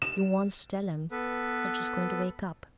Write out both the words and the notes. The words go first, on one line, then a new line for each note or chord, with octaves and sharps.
You wants to tell 'em they're just going to wake up.
E7
B3 A4 B4